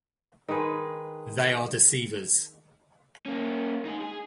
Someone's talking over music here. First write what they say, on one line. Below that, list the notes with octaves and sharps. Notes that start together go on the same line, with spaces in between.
They are deceivers.
D#3 G#3 G#4 B4
A#3 C#4
D#4 G#4
G#4